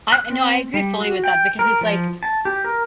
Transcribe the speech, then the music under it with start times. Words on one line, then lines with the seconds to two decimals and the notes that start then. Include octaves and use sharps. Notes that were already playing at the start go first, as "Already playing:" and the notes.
I I know, I agree fully with that because it's, like,
0.12 F#6
0.30 C4
0.74 G3
1.00 F#4
1.24 G5
1.59 A#4
1.81 F3
2.23 A5
2.45 G4
2.64 A#4